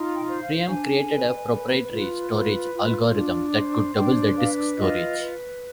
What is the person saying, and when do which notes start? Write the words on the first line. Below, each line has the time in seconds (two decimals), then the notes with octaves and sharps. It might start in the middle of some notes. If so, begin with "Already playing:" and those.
Priam created a proprietary storage algorithm that could double the disk storage.
Already playing: D#4 F4
0.13 G5
0.27 C5
0.40 F5
0.67 D4 G#5
1.08 B4
1.49 B4
1.90 F4
2.31 B4
2.72 F4
3.13 D4
3.54 C5
3.94 D4 G5
4.35 B4 F5
4.76 F4 D#5
5.17 B4